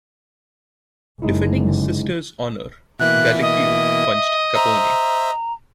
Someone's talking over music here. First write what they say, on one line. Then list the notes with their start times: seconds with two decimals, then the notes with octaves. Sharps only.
Defending his sister's honor, Gallucio punched Capone.
1.22 F#1 D3 G#3 D#4 E4
3.00 B2 E3 A#3 E5 F#6
3.41 D#5
4.55 C5 E5 A#5